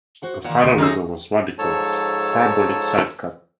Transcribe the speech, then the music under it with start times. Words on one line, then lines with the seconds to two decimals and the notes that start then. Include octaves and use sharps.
The final result was radical parabolic sidecut.
0.22 F#4 C5 F#5
0.44 A#2 D#3 F#5
0.64 D2 C4
0.78 F#2 D#3 D#4 G#4 A4 E6
1.59 G#2 F3 A4 C#5 A5